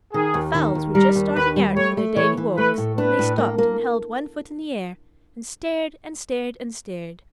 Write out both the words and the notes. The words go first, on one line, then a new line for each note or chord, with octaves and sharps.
The fowls were just starting out for their daily walks, and they stopped and held one foot in the air, and stared and stared and stared.
D#3 G#4
D#2
D#3
D#2
G3 A#4
D#2
D#2 B4
G3
A3 C#5
A3
E3 C#5
E3
A3 B4
A2
D4 B4
A2
A#3
A#3